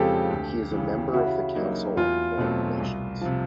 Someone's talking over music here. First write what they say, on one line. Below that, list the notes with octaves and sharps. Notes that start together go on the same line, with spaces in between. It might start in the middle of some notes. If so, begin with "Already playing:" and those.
He is a member of the Council on Foreign Relations.
Already playing: F2 C#3 F3 G#3 C4 G4 A4
D2
C#3 E3
C#3 E4 F#4
F#3 A#3 D#4
E2 F4
B2 F#3 A3 C4
C2
C3 F3